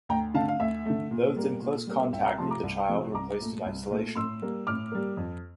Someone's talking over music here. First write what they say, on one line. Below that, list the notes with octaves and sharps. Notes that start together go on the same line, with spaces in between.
Those in close contact with the child were placed in isolation.
D2 G5 A#5
D3 A3 F5 A5
F5
D2 E5
D3 A3
A#2
G3 A#3
A#2
G3 A#3
C2 E5 G5
G5 A#5
C3 F3 A3 A5 C6
A#5 D6
C2
C3 F3 A3
C2 A#5 D6
A#2 A3
C2
A#2 A3
A2 C6 E6
G3 A#3
A2 D6 F6
G3 A#3
F2